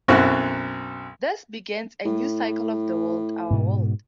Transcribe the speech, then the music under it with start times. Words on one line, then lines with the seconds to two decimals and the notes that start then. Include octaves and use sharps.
Thus begins a new cycle of the world: our world.
0.08 B1 F#2 C4 E4 F#4
2.05 A2
3.51 G#2 B2